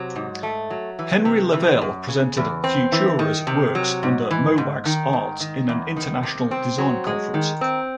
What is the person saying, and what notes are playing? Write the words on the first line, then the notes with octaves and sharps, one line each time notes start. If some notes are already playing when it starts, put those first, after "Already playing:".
Henry Lavelle presented Futura's works under Mo' Wax Arts in an international design conference.
Already playing: C3 F#3
G#2
A3
F#3
E3
C3
E3
F#2
C#3
E2
C4
E3
D#3
C3
F#3
G#2
E3
G#2
D#3
G#2
D#3
E2
D#3
C3
C4
F#3
G#3
D#3
C4